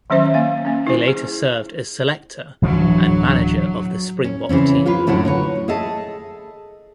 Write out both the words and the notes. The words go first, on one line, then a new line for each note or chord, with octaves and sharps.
He later served as selector and manager of the Springbok team.
D#3 F#3 C#4 C5 E5
A#3 F5
A#3 C#4
E4 C5
G#4
D1 E3 F#3 D4
C#4
C#3 E3 C4 C#4
F4 G#4 A#4 B4
F#2 A2 D3 E4 F#4 C#5
A#4 B4 C#5
G#4 A4 D#5 E5 A5